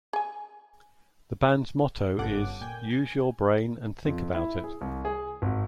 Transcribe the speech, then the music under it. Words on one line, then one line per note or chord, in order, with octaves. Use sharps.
The band's motto is "Use your brain and think about it!".
G#4 G#5
G1 G2 C#3 A4 F#5 D6
A#2 G5 G#5 G6
G#5
F2
E4
G#4
C2
G#4
G#1